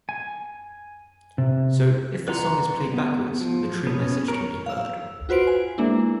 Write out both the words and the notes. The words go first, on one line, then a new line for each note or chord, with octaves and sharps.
So, if the song is played backwards, the true message can be heard.
G#5
C3
B4 D5 F#5 A#5 C6
B3
F3
B3 C#4
A#4 C#5
F5 E6
F4 F#4 B4 C5 D7
G#5
G#3 A#3 D4 E4